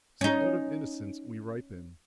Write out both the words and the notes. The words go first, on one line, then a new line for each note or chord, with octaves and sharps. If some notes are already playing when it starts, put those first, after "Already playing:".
So out of innocence we ripen.
C#4 D#4